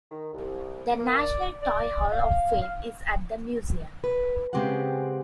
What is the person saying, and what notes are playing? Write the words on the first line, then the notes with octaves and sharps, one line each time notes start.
The National Toy Hall of Fame is at the museum.
D#3
C2
A#3
D5
D5
F5
F5
B4
C#3 G#3 C4 G4 B4 F#5